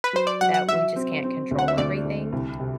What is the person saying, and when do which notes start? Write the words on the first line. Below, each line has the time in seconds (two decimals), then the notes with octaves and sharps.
that we just can't control everything,
0.04 B4
0.13 F#3 C5
0.27 D5
0.41 F#3 F#5
0.54 F#5
0.68 F#3 E5
0.96 C4
1.23 C4
1.51 D2
1.59 F#5
1.68 E5
1.78 D2 D5
2.05 D2
2.32 C2
2.60 C3